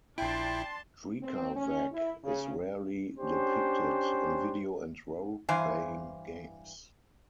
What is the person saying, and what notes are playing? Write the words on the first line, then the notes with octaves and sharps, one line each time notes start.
Drekavac is rarely depicted in video and roleplaying games.
A#1 D4 E4 G5 A5 C6
C4
C#4
E4
C#3
C#4 D4 G4 C5
G2 E3 C5 F5 G#5